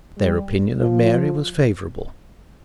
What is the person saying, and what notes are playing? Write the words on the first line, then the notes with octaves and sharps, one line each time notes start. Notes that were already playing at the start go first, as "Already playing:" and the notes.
Their opinion of Mary was favourable.
G3
F3